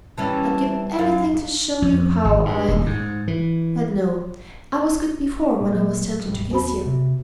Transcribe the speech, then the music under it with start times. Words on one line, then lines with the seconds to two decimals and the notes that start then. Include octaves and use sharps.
I'd give anything to show you how I--but no. I was good before, when I was tempted to kiss you.
0.18 E3 G3 C#4 A5
0.99 F#2 F5
1.82 F2
2.25 G#1
2.45 G2
2.68 D#1
2.86 G#2
3.28 E3
5.61 A#2
5.73 F#3
6.27 E1 A1 G3
6.51 D#2 B3 F#4 B5
6.86 C3